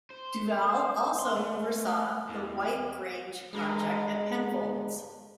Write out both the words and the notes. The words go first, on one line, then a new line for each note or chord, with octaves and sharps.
Duval also oversaw the 'White Grange' project at Penfolds.
C5
C6
A3
E2
G2 G#3 A3 A#4